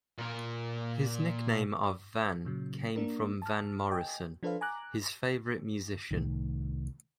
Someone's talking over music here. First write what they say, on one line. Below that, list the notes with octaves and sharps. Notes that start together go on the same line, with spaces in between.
His nickname of "Van" came from Van Morrison, his favourite musician.
A#2 A#4
A#2 C#3 F#3
A#3 D4 A#4
A5 F6
D#5 G5 G#5
F3 D4 A4 B4 C5 F5
G#5 A#5 D6 F#6
C2 A2 D#3